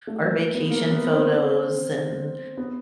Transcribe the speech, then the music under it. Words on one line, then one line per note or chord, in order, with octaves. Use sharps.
our vacation photos and
A3
A#3
B3
A#3
B3
C4
B3